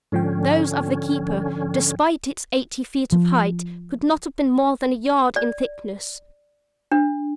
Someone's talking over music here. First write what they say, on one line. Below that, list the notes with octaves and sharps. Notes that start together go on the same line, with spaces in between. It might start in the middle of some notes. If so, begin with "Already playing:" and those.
Those of the Keeper, despite its eighty feet of height, could not have been more than a yard in thickness.
G#2 D3 F3 C#4 G5
F3
D5
D4